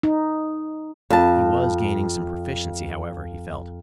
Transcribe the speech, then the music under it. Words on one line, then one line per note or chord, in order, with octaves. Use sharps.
He was gaining some proficiency, however, he felt.
D#4
F2 A5